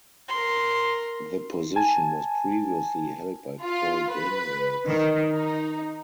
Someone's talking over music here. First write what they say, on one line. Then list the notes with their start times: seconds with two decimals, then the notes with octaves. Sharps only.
The position was previously held by Paul Daniels.
0.28 A#4 C6
1.76 G#5 A5
3.63 F4
4.11 B4
4.87 D#3
5.33 D#4